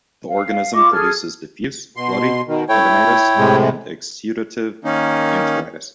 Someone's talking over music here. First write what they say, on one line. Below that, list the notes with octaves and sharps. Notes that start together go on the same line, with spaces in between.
The organism produces diffuse, bloody, edematous, and exudative enteritis.
F5
F4 D#5 C#6 D6
G#4 A4 F6
B2 C6
B2 D#3
A3 E4 C#5 G5
A2 C3 G#3
D#3 A#3 C#4 D#4